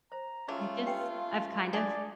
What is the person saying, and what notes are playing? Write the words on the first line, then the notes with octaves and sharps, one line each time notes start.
I just I've kind of
C5 A#5
F#3 A3 C#4 F4 G#4
G4 B4 G5
D4 G#4 D5